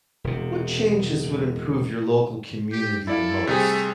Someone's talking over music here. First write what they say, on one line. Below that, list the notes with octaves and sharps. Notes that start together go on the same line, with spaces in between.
What changes would improve your local community the most?
E1 C3
G4
E4 A4 D5 F5
C3 G3 A3 G#4